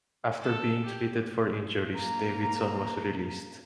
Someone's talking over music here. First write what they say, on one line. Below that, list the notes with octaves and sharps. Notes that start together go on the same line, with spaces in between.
After being treated for injuries, Davidson was released.
A4
G4
A#3 A#5